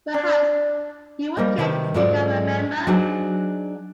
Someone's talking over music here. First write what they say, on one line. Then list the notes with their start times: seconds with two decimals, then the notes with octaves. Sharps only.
Perhaps you would care to become a member?
0.14 D4
1.37 G3 A#3 C5 D#5
1.58 C3 D#3 B4 A5
1.94 G#2 F#3 G#3 F4 A4 D5
2.87 F#3 D4 D#4 G#4 C5